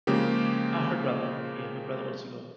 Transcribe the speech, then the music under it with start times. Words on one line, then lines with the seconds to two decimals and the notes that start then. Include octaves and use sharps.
Ah, her brother. Yeah, her brother wants to go.
0.07 C#3 F3 G#3 A#3 G4